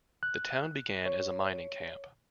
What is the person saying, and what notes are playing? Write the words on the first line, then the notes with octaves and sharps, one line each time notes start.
The town began as a mining camp.
F#6
C#5